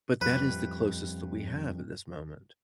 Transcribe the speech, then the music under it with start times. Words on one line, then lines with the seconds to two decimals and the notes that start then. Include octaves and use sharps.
But that is the closest that we have at this moment.
0.21 F2 G3 B4